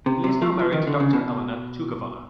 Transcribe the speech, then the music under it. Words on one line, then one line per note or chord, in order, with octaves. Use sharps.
He is now married to Doctor Elena Tchougounova.
C3
C3
F3
F3
D#3
D3
C#3
B2